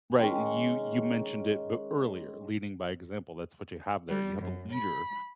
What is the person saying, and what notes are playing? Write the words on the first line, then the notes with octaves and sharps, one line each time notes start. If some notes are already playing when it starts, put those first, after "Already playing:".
Right, you you mentioned it but earlier, leading by example, that's what you have there, you have a leader,
D#3 G#3 C#4
G3
F#2
B5